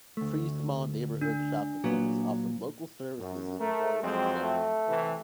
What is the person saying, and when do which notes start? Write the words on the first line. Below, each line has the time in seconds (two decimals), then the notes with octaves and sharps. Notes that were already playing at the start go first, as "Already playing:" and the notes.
Three small neighbourhood shopping centres offer local services in the corners of the suburb.
0.17 D2 A3
1.21 D4
1.84 A#2 F#3 B3
3.18 F#2
3.60 A3 A#4
4.03 F2 F#3 G#3 C4
4.44 A3
4.88 C3 E3